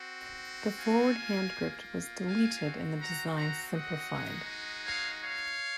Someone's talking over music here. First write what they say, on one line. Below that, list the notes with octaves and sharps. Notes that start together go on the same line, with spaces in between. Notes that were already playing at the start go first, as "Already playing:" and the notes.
The forward hand grip was deleted, and the design simplified.
Already playing: C4 F#4
F5 G#5
A#3 F4
F5 G#5
C4 F#4
F#5 A#5
F#5 A#5
D#5 F#5
G#3 D#4 F#4
C#5 F5
C#5 F5